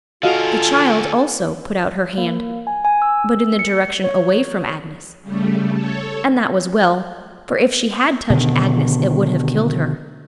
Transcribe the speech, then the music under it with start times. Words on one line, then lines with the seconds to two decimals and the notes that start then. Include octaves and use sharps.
The child, also, put out her hand--but in the direction away from Agnes. And that was well, for if she had touched Agnes it would have killed her.
0.23 D3 F4 F#4 A4 A#4 D#5 F5 G#5
2.18 A#3
2.67 G#5
2.85 G#5
3.02 E6
3.59 C#7
4.04 C#5
5.21 C#3 G3 A3
5.72 A4 C#5
8.30 B2 D3 D#3